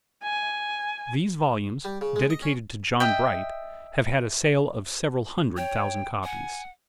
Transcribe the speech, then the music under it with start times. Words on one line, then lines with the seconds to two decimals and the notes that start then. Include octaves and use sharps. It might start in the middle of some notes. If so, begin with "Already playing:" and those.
These volumes, dedicated to John Bright, have had a sale of several hundred thousand copies.
0.23 G#5
1.85 G3
2.01 C#3
2.16 G#3
2.30 D#5
2.42 C#4
3.00 D#5 E5 G5
5.57 C#5 G5
6.24 F#5 G#5